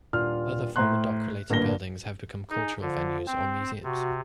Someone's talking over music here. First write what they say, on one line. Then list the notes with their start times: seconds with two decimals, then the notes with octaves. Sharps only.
Other former dock related buildings have become cultural venues or museums.
0.13 D#1 D4 F4 F6
0.76 A2 C5 A#5 C6 F#6
1.50 A1 G2 A#2 D3 A#6 G7
2.50 D#4 G#4
2.81 D3 F3
3.27 C4 G5
3.83 C3 F#4